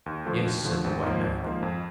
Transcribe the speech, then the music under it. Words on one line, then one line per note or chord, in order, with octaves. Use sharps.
"Yes," said the white man.
D#2
D3 F3 A3
D#2
D3 F3 A3
G#1
G#2 F3 A#3
G#1
G#2 F3 A#3
F2